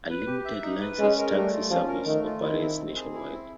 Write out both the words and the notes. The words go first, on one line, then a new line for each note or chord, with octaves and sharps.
A limited licensed taxi service operates nationwide.
B4
G4
E5
D#4
B4
G#3 C#4
A#4
G3 A3
F4
F3 C#4
A#4
D#3 A3
F4
D#3 E4
C4
C4
G#4
E4
C4